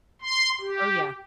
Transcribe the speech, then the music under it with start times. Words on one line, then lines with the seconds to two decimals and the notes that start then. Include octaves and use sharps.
Oh, yeah.
0.22 C6
0.61 G4